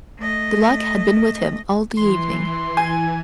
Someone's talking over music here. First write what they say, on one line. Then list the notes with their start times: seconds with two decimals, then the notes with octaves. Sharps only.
The luck had been with him all the evening.
0.18 A3 D#5
1.97 E3 C6
2.77 G#5